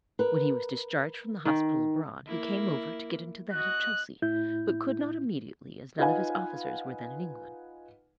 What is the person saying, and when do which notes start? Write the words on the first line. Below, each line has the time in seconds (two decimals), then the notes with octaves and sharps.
When he was discharged from the hospital abroad he came over to get into that of Chelsea, but could not immediately, as none of his officers were then in England.
0.19 A#4 B4
1.45 D#3
2.27 A#3 E4
3.53 F#4 D#5 F#6
4.22 A2 E4 G6
5.98 D#4 F4 B4 F5 F#5 G#5